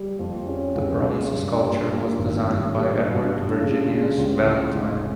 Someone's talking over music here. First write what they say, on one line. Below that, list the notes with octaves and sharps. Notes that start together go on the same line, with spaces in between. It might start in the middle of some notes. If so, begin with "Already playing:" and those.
The bronze sculpture was designed by Edward Virginius Valentine.
Already playing: G3
F2
C#4
C#2
G#3
G2
G2
A#3
G#1
G2
G3
G2
G2
C#3
G#3
C#2
C#2
F1